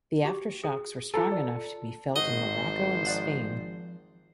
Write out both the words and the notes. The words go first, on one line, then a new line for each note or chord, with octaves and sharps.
The aftershocks were strong enough to be felt in Morocco and Spain.
F#4 G4
G#4
F4 A4 A#5 A6
D5
G#1 F#4 C5 D#5
F3 D5 F#5